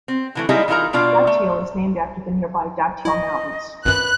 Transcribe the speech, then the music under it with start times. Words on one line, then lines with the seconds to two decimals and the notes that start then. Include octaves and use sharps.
Datil is named after the nearby Datil Mountains.
0.08 C4
0.35 D3 E3 A3
0.49 G3 G#3 A#3 D#4 E4 G#4
0.68 E3 D#4 F4 G#4 A#4 A#5
0.93 B2 D4 F4 D5
1.27 A3
3.05 E4 D#5
3.85 G#1 F#2 B4 F#6